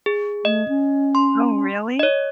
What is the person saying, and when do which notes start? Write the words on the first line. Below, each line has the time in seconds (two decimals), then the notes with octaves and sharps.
Oh, really?
0.06 G#4
0.45 A3 D#5
0.68 C#4
1.15 C6
1.99 C#5 D#5